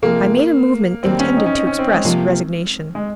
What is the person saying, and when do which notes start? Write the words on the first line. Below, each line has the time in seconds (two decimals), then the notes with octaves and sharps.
I made a movement intended to express resignation.
0.02 C3 F3 G#3 A#3
1.03 D#2 D#3 G3 A#3 C4
1.19 C#4
1.37 D#4
1.46 C#4
1.54 D#4
1.67 C#4
1.79 C4
1.91 G#3
2.04 C3 F3 A#3
2.95 G#3